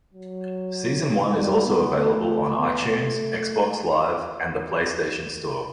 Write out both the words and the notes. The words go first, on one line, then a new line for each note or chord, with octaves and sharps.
Season one is also available on iTunes, Xbox Live, and the PlayStation Store.
F#3
G3
B3
A3
B3
A3